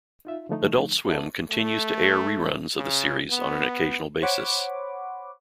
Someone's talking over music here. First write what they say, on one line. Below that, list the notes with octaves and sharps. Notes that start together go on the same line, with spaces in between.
Adult Swim continues to air reruns of the series on an occasional basis.
D#4 F4 E5
D3 F3 A3 D#4
A4 B4 D5 E5 F#5 A5
A3
C#3
B3
C5 C#5 F#5 B5 D6